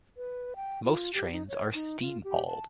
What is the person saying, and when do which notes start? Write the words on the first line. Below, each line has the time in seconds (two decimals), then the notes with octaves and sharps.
Most trains are steam-hauled.
0.17 B4
0.56 G5
0.84 F4
1.14 G4
1.32 D#4
1.48 C#5
1.74 D#4
2.00 F4
2.24 G4
2.47 A5